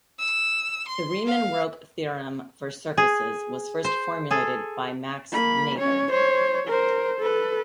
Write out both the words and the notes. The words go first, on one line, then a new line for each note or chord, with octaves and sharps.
The Riemann-Roch theorem for surfaces was first formulated by Max Noether.
E6
C6
F5
G#4
C5
G#4 A4
A#3 B5
C#4 C#5
C5 C#5
A#4 C5
A4 B4